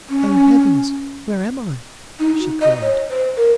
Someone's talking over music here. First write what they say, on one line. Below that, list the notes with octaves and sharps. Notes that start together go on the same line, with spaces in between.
"Oh, heavens, where am I?" she cried.
C#4
D#4
F#4
D#5
C#5
C5
A#4